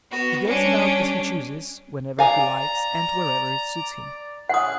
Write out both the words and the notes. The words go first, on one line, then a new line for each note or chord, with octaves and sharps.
He goes about as he chooses, whenever he likes and wherever it suits him.
B3 F#4
G3 C#4 D4
D5 F5 G#5 A#5
C#4 E4 F#5 D#6 F#6